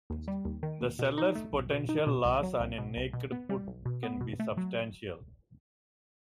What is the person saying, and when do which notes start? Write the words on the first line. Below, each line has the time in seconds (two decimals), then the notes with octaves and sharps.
The seller's potential loss on a naked put can be substantial.
0.10 D#2
0.28 G3
0.45 D#2
0.63 D#3
0.81 D#2
0.99 B2
1.18 D#4
1.35 A3
1.53 B1
1.70 B2
1.89 D#4
2.07 B2
2.25 C2
2.43 F#3
2.60 C2
2.78 B2
2.96 C2
3.13 B2
3.32 B3
3.49 G3
3.67 B1
3.85 B2
4.03 B3
4.21 B2
4.39 A3
4.57 F#3